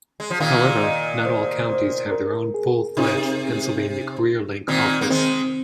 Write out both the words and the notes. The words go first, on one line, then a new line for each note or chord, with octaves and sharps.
However, not all counties have their own full-fledged Pennsylvania CareerLink office.
G#3
F3
A#2 D#3 F5
D#5
C5
C5
A#4
G#4
C3 D#4
A#2 D#3 C4
A#3
D#3 G#3 C4